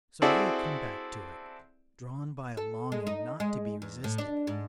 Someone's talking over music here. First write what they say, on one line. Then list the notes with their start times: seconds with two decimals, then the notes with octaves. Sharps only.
So he had come back to it, drawn by a longing not to be resisted.
0.22 C4 E4 F#4 G#4 A4 D5
2.57 A4
2.92 G#3
3.07 D#4
3.40 G#3
3.82 E2
4.04 A2
4.18 D4
4.47 G#2